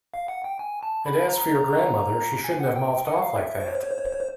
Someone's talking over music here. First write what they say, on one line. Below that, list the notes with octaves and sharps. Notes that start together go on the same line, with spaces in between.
And as for your grandmother, she shouldn't have mouthed off like that!
F5
F#5
G5
G#5
A5
B5
A#5
G#5
F#5
G5
G5
F#5
F5
E5
C5
C#5
C5
C#5
C5
C#5
C5
C#5
C5